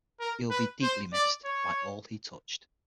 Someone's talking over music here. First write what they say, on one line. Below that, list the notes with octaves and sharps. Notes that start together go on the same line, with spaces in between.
He will be deeply missed by all he touched.
A#4
B4
C5
D5
C#5